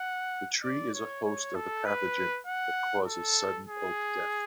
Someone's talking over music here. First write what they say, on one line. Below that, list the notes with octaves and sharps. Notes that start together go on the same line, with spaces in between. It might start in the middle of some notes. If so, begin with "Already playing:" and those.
The tree is a host of the pathogen that causes sudden oak death.
Already playing: F#5
D5
C#5
C#5
A4
B4
F#5
A4
G#4